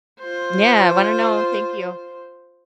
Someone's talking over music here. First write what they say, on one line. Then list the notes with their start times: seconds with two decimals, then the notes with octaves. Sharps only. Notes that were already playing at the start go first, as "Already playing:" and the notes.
Yeah, I wanna know. Thank you.
0.20 F4 C5